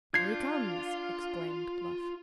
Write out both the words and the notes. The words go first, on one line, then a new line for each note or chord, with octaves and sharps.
"There he comes!" exclaimed Bluff.
D4 F4 G6 G#6 C7